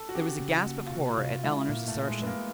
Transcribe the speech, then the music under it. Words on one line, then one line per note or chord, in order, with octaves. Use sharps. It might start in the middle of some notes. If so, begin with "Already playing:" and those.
There was a gasp of horror at Eleanor's assertion.
Already playing: A4
F#4
C#4 G4
C#3
F#4
A#3
F4
C3 F#4
C3 F4
F4
G#3 E4
A#2 A#3
A3
A#2
G#3
A3 B3
A#3